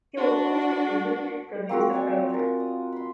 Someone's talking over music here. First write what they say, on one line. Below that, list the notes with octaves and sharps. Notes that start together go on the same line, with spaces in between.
He will also executive produce the project.
D4 F#4
A#3 C4 F4 F#4
C4 D5 D#5 G#5
A#4
D#6
B5 C6